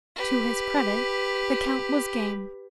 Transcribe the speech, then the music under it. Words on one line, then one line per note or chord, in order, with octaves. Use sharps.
To his credit, the count was game.
G4 B4